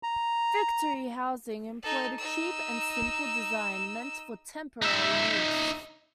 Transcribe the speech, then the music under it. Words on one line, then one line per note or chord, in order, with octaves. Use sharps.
Victory Housing employed a cheap and simple design meant for temporary use.
A#5
D#4 A4
D#4 E6
D#4 E5